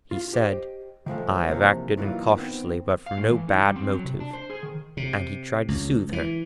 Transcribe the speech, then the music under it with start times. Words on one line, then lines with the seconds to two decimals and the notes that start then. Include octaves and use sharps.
He said, 'I have acted incautiously, but from no bad motive,' and he tried to soothe her.
0.11 F4
0.33 G4 C5 D#5 G5
1.06 D#3 F3 G#3 A3
1.47 C3 E3 F3 G#3 A#3 C#4
1.97 D#3 E3 F#3 A#3 F4
2.35 D#3 B3 C4
3.06 F5
3.18 A2
3.30 E3
3.48 D#4
3.63 G3
3.76 C4
3.91 F#3
4.04 C3
4.20 D4
4.33 C5
4.50 G#4
4.63 D#3
4.97 C3
5.69 C#2
6.13 E3